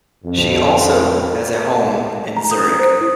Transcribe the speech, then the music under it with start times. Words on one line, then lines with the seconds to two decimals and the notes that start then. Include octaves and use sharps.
She also has a home in Zurich.
0.24 F2
2.37 A#5
2.51 D#6
2.64 D#6
2.80 C5
3.01 E4